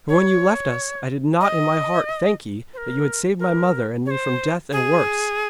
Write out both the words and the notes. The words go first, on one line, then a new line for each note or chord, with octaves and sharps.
'For when you left us I did not in my heart thank ye that you had saved my mother and me from death and worse.
C#5
D#5
C5
A#4
A#4
C#5
C5
G#4